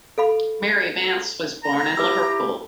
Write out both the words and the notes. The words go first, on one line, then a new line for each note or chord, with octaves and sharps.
Mary Mance was born in Liverpool.
A4 F5 B5
A#5
E4 G4 B4 E6